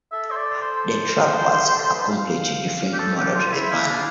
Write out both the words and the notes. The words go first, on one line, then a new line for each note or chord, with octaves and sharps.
The truck was a completely different model to the van.
A4 E5
C5
D5
C5
G4
A4
B4
F5
G4
A4
G4
F4
E4
E5
E4 F5
D4